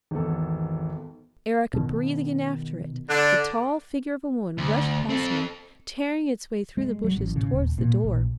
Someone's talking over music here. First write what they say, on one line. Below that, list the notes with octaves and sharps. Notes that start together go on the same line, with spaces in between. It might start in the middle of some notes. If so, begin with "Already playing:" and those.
Ere I could breathe again after it, the tall figure of a woman rushed past me, tearing its way through the bushes towards the door.
G#1 E2 A4
B2 D#3
D3 D4
D2
C4 A4
G#3
F#3
A1
C#3
D#1
A#2
A#1